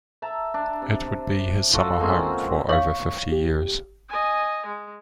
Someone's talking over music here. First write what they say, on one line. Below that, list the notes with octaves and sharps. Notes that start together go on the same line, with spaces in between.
It would be his summer home for over fifty years.
E5 A5 A#5
D4
C3
F4 F#4 A4 D5
G#3 A#3 C4 C#4
C#5 F5 C#6
G4
D#5 G#5
G#3